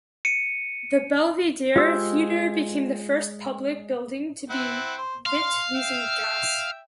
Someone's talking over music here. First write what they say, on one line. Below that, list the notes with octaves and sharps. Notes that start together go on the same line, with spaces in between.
The Belvidere Theatre became the first public building to be lit using gas.
C#7 D#7
G#3 F4 G4 C5 E6 G6
C4 E4 F#5
C5
F5 C6
E5 G5